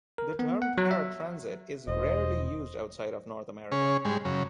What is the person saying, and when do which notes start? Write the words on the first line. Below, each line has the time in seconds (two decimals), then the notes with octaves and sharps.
The term "paratransit" is rarely used outside of North America.
0.18 A#4
0.39 B3
0.62 F#5
0.78 F#3
0.91 E5
1.88 E1 C5 D#5
3.72 C#3 C#4 G#4
4.05 G#2 G3 G#3
4.25 F#2 C#3